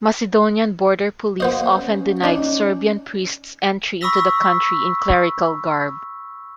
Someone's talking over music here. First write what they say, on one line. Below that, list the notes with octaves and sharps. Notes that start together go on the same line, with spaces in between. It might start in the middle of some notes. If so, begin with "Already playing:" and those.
Macedonian border police often denied Serbian priests entry into the country in clerical garb.
B1 B3 C5 D#5 F5
C#4
D4 D#4
B5 C#6 D#6 E6 A#6 B6